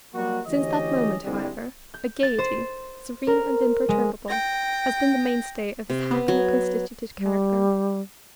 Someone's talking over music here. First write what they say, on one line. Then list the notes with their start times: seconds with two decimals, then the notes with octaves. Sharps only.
Since that moment, however, a gaiety, serene and imperturbable, has been the mainstay of his happily constituted character.
0.14 F#3 G3 A#3 F#4
0.47 D2 E3 C#4 G4 C#5 D#5
1.23 C2 D3 G3 G#3
1.94 G6
2.23 A6
2.39 C5
3.27 A#4
3.89 G#3
4.28 G5 A#6
5.90 C3
6.11 B3
6.28 F#3
7.18 G3